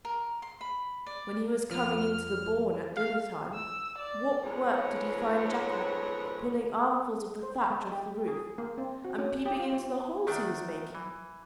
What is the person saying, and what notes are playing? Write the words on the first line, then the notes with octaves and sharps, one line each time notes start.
When he was coming into the bawn at dinner-time, what work did he find Jack at but pulling armfuls of the thatch off the roof, and peeping into the holes he was making?
A#4
C6
B5
D5
F2 F3 F6
F5
E6
D5
F2 G#2 B3 C#4 C#5
C5
G#3
G4
G#4
A#3
C4
F#4
C#4
G4
F4
C4
E2 D#3 A3 D4
E3